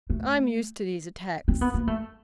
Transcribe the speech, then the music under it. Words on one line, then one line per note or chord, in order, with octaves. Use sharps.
I'm used to these attacks.
A3
C4
B3
A#3
A3